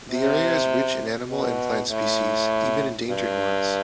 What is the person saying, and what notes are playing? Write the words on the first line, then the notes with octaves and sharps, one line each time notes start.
The area is rich in animal and plant species, even endangered ones.
C3
B2
A2
G2